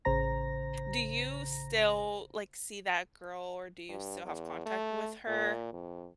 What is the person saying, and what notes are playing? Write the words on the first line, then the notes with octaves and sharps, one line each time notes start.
Do you still, like, see that girl, or do you still have contact with her?
A1 C#3 C5 A#5 A#6
G2
E2
A3
A#2
F2